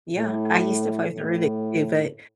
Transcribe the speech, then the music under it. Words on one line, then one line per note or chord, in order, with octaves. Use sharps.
Yeah, I used to play with Rubik too, but
A2
A2